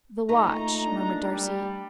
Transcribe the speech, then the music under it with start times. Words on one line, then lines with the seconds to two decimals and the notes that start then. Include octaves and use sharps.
"The watch," murmured Darcy.
0.29 A#2 A3 D#4 A#5
0.84 D4
1.33 G3